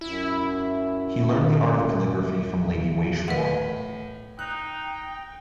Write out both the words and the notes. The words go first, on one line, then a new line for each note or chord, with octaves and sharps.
He learned the art of calligraphy from Lady Wei Shuo.
F#2 E4
A2 B4 F#5
D#4 G5 F#6